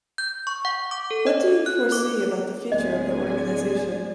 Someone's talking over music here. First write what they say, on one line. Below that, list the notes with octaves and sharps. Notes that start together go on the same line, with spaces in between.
What do you foresee about the feature of the organization?
G6
C#6
F#5
D6
A4
D#5
F#6
D6
D1 G#3 G#4 D5 D#5 G#5